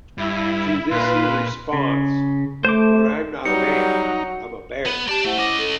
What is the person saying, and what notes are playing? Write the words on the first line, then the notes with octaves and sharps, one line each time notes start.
To this he responds, "But I'm not a man, I'm a bear".
G2 E4
A#2 F4 B4
C#3
A3 C5 D6
F#3 G3 D#4 C#7
B3
G4 D5 A5
A3 E4 C5 F#5
C#4 E4 D#5 D6
A4